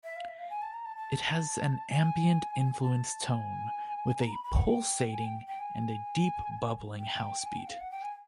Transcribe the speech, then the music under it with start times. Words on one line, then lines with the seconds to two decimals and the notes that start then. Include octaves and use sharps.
It has an ambient-influenced tone, with a "pulsating" and a "deep, bubbling" house beat.
0.04 E5
0.16 F5
0.28 E5
0.39 F5
0.50 G#5
0.62 A5
0.73 A#5
0.85 A5
0.97 A5
1.89 G#5
2.82 A5
3.28 G#5
4.21 A#5
4.32 B5
4.44 B5
4.55 F#5
4.67 G5
5.13 G#5
5.25 G5
5.48 G5
5.59 G#5
6.98 G5
7.45 G#5
7.57 G5
7.67 F5
7.80 F#5
7.91 G5
8.02 G#5